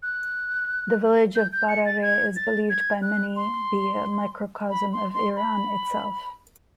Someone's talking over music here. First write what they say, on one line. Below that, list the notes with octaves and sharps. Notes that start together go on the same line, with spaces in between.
The village of Barareh is believed by many be a microcosm of Iran itself.
F#6
G6
G6
C#7
A6
G#6
A6
G#6
F#6
C6
B5
C6
C6
B5